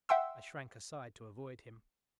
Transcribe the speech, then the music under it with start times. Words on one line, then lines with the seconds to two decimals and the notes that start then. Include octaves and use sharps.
I shrank aside to avoid him.
0.09 E5 F#5 G5 C6 E6